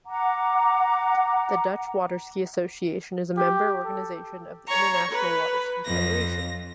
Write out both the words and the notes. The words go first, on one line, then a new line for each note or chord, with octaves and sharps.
The Dutch Waterski Association is a member organization of the International Water Ski Federation.
F#5 A#5 D6
G4
A4
C#5 A#5 C#6
B4
F2 A#6